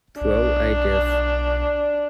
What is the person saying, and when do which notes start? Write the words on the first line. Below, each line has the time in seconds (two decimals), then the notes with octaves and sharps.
Pro I Div.
0.21 B1 D4